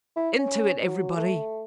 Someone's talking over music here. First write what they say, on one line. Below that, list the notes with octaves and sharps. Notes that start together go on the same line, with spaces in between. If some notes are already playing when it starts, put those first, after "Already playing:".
"Into it, everybody!"
E4
C#4
F#3
A3